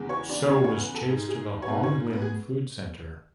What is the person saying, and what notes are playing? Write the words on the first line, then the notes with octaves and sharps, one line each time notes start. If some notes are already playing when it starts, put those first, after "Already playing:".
Soh was chased to the Hong Lim Food Centre.
Already playing: E2 C#3 G#3
C#5 C#6
D4 D5
E2 C#3 G#3 C#4 C#5
C#4 C#5
B3 B4
A4
G#2 G#3 G#4
G#4
C#5
G#2 G#3 B3 B4
C#4 C#5
B3 B4
G#4